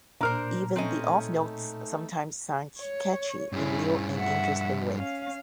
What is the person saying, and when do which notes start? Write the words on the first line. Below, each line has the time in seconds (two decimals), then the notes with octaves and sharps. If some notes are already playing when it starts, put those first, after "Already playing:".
Even the off notes sometimes sound catchy in new and interesting ways.
0.21 A#2 D4 A#4 C5 A#5 F6
0.76 A3 C4 C#4 D#4 A4 D#5
2.80 C#5
3.52 G2 C#4 E4 G#4
4.16 E5 F#5
4.97 C#4 F5